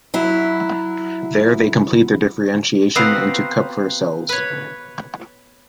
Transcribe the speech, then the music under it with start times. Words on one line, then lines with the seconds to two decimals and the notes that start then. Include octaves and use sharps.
There they complete their differentiation into Kupffer cells.
0.14 F#3 E4
2.95 B3 C4 D#4 F4 F#4 C5
4.29 B4 C#5